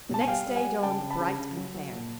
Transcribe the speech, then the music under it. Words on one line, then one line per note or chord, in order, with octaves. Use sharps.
The next day dawned bright and fair.
B2 A5
G#5
G3 F5 G5
G3
F#5 G#5
G3
C#3 G5 A5
C#3
A5 B5
C#3
C#3
F#3
F#3
A#2